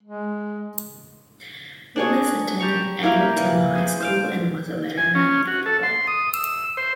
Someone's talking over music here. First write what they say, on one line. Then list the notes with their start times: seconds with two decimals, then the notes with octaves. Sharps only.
Willis attended Angleton High School and was a letterman in football.
0.03 G#3
1.96 D4 G#4 C#5
2.60 G4 A5 A#5 C#6
3.03 A#3 E4 G4 A#4
3.38 E3
3.75 G#4 C5
4.00 C5 F5 G5
4.98 G#5
5.15 C#4
5.47 F#4
5.66 A4
5.83 C6
6.07 D#6
6.34 E6
6.77 C5